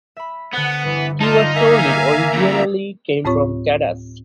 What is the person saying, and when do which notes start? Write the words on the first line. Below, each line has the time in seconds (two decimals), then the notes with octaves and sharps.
He was told it originally came from Tadas.
0.17 E5 B5
0.54 D3 B3 C5 F#5
0.84 G1 E3
1.21 D4 D#4 F4 A5
1.55 A#3 E5 F5 G#5 A#5
2.34 A#2 C#3
3.24 D2 A2 C4 F4 C#5 C#6